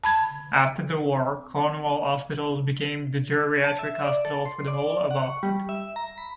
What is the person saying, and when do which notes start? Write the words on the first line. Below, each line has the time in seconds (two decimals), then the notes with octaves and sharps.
After the war Cornwall Hospital became the geriatric hospital for the whole of Auckland.
0.04 A5 B5 G#6
3.64 A5
3.79 E5
4.04 D5
4.25 A4
4.46 C6
4.67 D5
5.11 F#5
5.24 C#6
5.43 G3
5.69 E5
5.96 A#5
6.18 B5